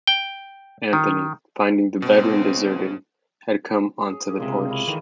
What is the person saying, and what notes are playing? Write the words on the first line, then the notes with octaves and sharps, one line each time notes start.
Anthony, finding the bedroom deserted, had come onto the porch.
G5
D#3
C#2 B2 B3 C4
G#4 C#5
A#2 G4 G#4
C#2 C3 F4 G#4 A#4
A#3 E4
A2 D#3 E3 G#3